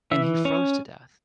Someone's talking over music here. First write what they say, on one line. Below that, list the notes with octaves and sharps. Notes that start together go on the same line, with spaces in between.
and he froze to death.
E3 E5
C#4 C#5